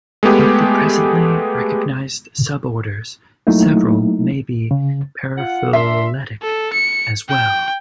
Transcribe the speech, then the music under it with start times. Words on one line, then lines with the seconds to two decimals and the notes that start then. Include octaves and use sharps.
Of the presently recognized suborders, several may be paraphyletic, as well.
0.23 G#3 A3 B3 G4 G#4
3.47 F#3 A3 A#3 D#4 E4
4.71 C#3
5.37 F4 F#5
5.73 D4 A#4 E5 C6
6.42 A4
6.73 C#7
7.29 G5